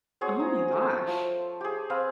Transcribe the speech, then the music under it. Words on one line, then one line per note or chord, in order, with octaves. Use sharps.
Oh my gosh.
C4 F#4 G#4 C#5
A#5
A3
F3
G4 G#4
C4 B4 F5